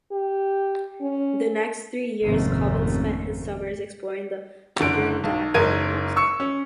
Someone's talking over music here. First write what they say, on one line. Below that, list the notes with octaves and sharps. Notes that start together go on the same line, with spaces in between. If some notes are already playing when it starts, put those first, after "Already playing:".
The next three years, Colvin spent his summers exploring the Adirondack wilderness.
G4
C#4
G#1 F2 C3 A3 A#3 C#4
F#1 D3 D7
B1
F#1 G#2 A#4 G#6 D#7
C#6 E6 C#7
C#4